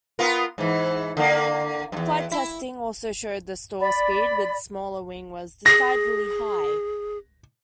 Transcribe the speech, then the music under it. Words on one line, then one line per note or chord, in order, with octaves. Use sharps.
Flight testing also showed the stall speed with the smaller wing was decidedly high.
B3 F4 A#4
G#2 E3
D3 A#3
E2 G2
E4
D5 B5
G#4 A#6